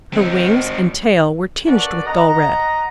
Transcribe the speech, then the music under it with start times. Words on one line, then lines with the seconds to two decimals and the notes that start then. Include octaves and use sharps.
Her wings and tail were tinged with dull red.
0.13 C4 D#4
1.66 A#3 C#4 F#4 A4 B4 D5
2.04 D#5 F#5 A#5